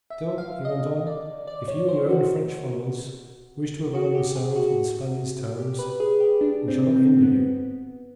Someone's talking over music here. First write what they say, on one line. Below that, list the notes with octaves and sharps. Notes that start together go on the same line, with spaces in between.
Still," he went on, "if you and your own French followers wish to avail yourselves of the Spaniard's terms, we shall not hinder you.
E5
F5
D#5
D5
D5
C#5
C5
F#4
F#4
G4
G#4
F#4
G4
B4
G#4
G4
D4
C4
C4
B3